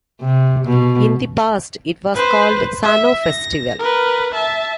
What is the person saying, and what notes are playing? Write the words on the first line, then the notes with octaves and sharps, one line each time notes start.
In the past, it was called Sannou Festival.
C3
B2
B4 C5
E5
A#6
A#4 B4
E5 A5